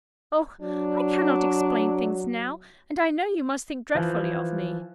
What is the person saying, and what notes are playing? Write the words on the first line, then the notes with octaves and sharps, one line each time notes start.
"Oh, I cannot explain things now, and I know you must think dreadfully of me."
F#3 D4
E3 F3